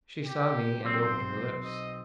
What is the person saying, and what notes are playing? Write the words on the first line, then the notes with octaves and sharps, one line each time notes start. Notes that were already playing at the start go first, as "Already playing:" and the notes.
She saw me and opened her lips.
G4
B1 C4 C5
D#5